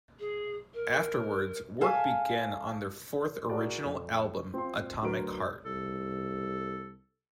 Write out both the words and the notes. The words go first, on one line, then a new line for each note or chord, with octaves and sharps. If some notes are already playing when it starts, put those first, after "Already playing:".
Afterwards work began on their fourth original album "Atomic Heart".
G#4
A#4
A4 E5 F5 G#5 A5
E4 F#4 G#4 A#4 D5
F2
C4 F4 C6
D2 F#3 F#4 A#4 B4 D7
C2 A4